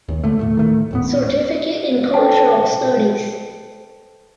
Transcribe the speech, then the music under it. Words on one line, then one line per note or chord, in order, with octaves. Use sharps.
Certificate in Cultural Studies.
D#2
D3 A3
A2 A3
D#3 A3
D#1 A2 B3
A4 B4 C5 G5 A5